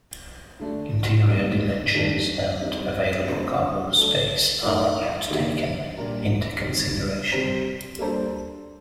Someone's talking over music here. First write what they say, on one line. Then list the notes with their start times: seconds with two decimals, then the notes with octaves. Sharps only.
Interior dimensions and available cargo space are not taken into consideration.
0.59 D3 A3 D4
1.27 C3 G3 A#3 D#4
1.94 D#3 A3 D4 G4
2.61 G3 C4 D#4
3.28 D3 A3 C4 F4 C5
3.96 D3 A3 D4 A4
4.62 A2 A3 D#4 A#4
5.30 D#3 A#3 D4 G4
5.97 A#2 G3 D4 G4 A#4
6.64 D#3 G3 C4
7.32 C3 G3 C4 G4 C5
7.98 G3 A#3 D4 A4 C5